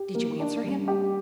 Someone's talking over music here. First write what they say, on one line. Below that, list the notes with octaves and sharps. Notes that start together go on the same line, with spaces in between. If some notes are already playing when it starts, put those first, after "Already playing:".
"Did you answer him?"
Already playing: G4
A#3
D4
G3
G4